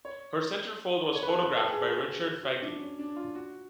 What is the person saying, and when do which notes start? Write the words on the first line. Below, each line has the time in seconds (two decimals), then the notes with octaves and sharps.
Her centerfold was photographed by Richard Fegley.
0.05 C#5
1.15 C#5
1.23 B4
1.29 A4
1.42 B4
1.56 A4
1.70 G#4
1.97 F#4
2.43 F#4
2.62 D4
2.79 C#4
2.99 D4
3.16 F4
3.35 F#4